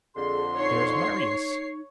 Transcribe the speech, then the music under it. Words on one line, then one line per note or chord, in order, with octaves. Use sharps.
"There's Marius."
F2 D3 G#4 C6
D#4 C#5 C7